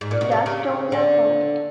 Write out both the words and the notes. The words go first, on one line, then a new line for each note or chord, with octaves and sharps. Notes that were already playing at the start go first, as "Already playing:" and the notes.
Dust storms are common.
G#2
A#2
B2
C3
C#3
D3